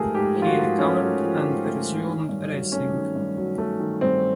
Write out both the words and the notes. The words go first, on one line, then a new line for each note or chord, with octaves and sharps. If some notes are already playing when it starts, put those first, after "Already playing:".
He recovered and resumed racing.
Already playing: G#2 F3 A3 G4 G#4 A#4
G#2 G4
F3
F4
F#4
G#2
A3 C#4
G#2
F3
G#2
A3
G#2
D#3
G2
F#3
A3 C#4
D#3
G2
F#3
A3
D#3
G2 C4